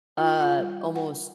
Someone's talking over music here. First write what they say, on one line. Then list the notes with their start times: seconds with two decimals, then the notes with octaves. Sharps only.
uh, almost,
0.18 F4
0.40 F4
0.58 G3
0.95 F#5